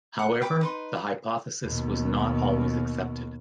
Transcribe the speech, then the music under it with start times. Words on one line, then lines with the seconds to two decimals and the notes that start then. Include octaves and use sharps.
However the hypothesis was not always accepted.
0.19 F#5
0.42 G5 B5 D6
0.61 D#4 B4 C6
1.65 D#2 B2